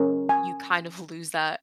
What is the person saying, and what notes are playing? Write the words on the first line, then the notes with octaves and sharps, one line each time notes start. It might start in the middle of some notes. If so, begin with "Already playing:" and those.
you kind of lose that
Already playing: C#4 A#4 C#5
G#5